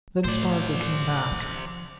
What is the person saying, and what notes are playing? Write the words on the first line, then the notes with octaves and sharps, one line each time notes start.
Then Spargo came back.
A2 C5 D5
F3